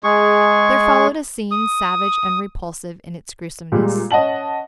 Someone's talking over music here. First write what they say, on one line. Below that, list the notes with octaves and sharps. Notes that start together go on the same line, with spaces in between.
There followed a scene savage and repulsive in its gruesomeness.
G#3 G#4 C#6
D#6
A#2 G3 G#3
C#4 D#5 F#5 A5 F#7